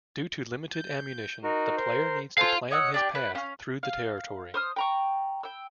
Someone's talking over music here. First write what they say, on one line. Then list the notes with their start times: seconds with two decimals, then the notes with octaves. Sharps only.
Due to limited ammunition, the player needs to plan his path through the territory.
0.73 G6
1.43 D#4 F#4 A#4
1.77 A#4 C5
2.38 A4 C5 F5 G#5 C6
2.71 C#5 D#5 F#5 E6
2.94 D4 G4 G5
3.15 B4
3.35 C#4 F5
3.83 F5
4.54 C5 D#6 F6
4.76 G5 A#5 C#6
5.43 G5 E6